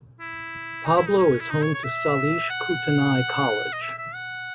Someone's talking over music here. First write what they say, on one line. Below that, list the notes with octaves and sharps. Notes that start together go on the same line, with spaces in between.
Pablo is home to Salish Kootenai College.
E4
D#4
E4
D#4
C#4
E4
D#4
C#5
C#5
E5
F#5
D#5
E5
E5
F#5